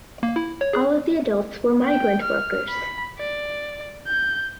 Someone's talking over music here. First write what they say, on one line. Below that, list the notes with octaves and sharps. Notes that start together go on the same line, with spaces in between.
All of the adults were migrant workers.
A#3
E4
C#5
G#4
G5
F6
B5
D5
G6